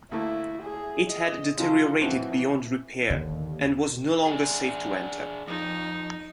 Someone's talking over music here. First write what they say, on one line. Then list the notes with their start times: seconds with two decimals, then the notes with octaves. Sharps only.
It had deteriorated beyond repair and was no longer safe to enter.
0.11 D2 A3 A#3 E4
0.62 G#4
1.10 D#5
1.58 C#3 F3 F4 A4
2.01 F2 E3 C4 F#4
3.10 D#2 D3
4.26 D4 G#4
5.48 F2 D#4